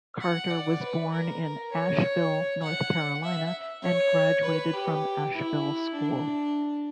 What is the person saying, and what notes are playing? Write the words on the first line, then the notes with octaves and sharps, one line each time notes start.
Carter was born in Asheville, North Carolina and graduated from Asheville School.
F#5
D5
B4
A#4
C#5
F#5
E5
C#5
B4
G4
E4
D4